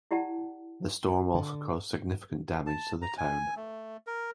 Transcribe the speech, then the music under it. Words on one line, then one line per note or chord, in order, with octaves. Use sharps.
The storm also caused significant damage to the town.
E4 G4 D5 F#5 A5
D3
A5
A#5
G#5
A3
A#4